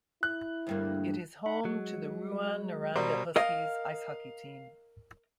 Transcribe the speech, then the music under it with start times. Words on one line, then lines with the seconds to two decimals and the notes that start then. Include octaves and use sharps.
It is home to the Rouyn-Noranda Huskies ice hockey team.
0.23 E4 F#6
0.67 D2 G2 A#3
1.46 D#4 F#5 B5
1.65 F#3 G#3
2.96 B2 G3 A#4 C5
3.36 A#4 D#5 F5